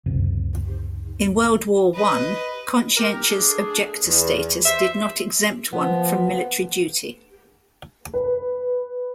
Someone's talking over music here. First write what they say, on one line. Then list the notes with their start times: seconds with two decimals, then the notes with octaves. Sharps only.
In World War One, conscientious objector status did not exempt one from military duty.
0.06 F#1 C#2 F#2 C3
1.94 B4 D#5
2.97 G4 A#4
3.29 A3 D4 G#4
4.06 E2
4.65 C5 E5
5.73 F3 B3
8.14 B4